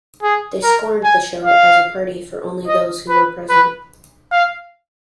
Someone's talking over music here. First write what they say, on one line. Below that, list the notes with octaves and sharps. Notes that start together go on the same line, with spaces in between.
They scorned the show as a party for only those who were present.
G#4
A#4
G#5
F5
D#5
B4
B4
F5